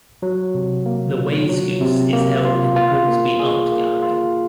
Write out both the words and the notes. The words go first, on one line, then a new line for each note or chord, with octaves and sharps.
The wayzgoose is held in the Grimsby Art Gallery.
F#3
C3
A#3
F4
F#3
C3
A#3
F4
F4
A#3
G#4
A#3
F4